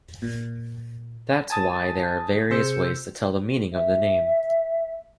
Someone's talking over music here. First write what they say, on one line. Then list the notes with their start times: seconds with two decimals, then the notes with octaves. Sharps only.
That's why there are various ways to tell the meaning of the name.
0.22 A#2
1.50 G#5 A5 D#6 A6
2.50 C3 G#4 C5 E6 G6 C#7
3.73 E5